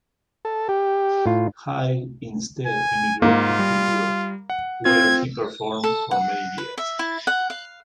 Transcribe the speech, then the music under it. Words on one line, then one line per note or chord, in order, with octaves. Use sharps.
Height instead emigrated to Europe, where he performed for many years.
A4
G4
A2 F4
G#5
G#2 A#3 F4
G3
F#5
C4 F4 G#6
A4
F#5
B4
E5
E4
F#5
F5